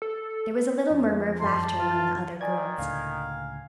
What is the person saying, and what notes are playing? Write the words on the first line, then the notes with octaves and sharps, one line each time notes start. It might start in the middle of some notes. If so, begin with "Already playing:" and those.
There was a little murmur of laughter among the other girls.
A4
F2 F3
A1 F#2 D#5 A5 C6
F4
D#3 D5 G#5 G#6
C#2 A2 D3 F5